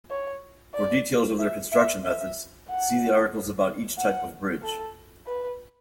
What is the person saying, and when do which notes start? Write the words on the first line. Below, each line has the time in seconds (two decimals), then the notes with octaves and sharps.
For details of their construction methods, see the articles about each type of bridge.
0.10 C#5
0.74 D5
1.39 E5
1.72 E5
2.04 E5
2.69 F#5
3.98 F#5
4.63 A4
5.27 B4